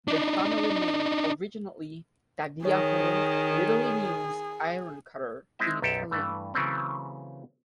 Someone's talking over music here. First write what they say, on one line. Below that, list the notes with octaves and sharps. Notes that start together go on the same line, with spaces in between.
The family name, originally "Tagliaferro", literally means "Ironcutter" in Italian.
D4 D#4
D#3 G#4 C#5
G#3 C4 E4 D#5 E5
B1 F#2 G4 A4
G2 E3 A3
C#3 E3 F#3 A3 C4 C#4